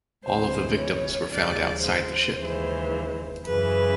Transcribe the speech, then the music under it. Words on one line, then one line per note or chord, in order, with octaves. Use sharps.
All of the victims were found outside the ship.
D2 C3 E3 G#3 C5
C#5
D#2 C#3 F3 G#3 D5
C5
D#2 C#3 E3 G#3
F#2 C#3 E3 B4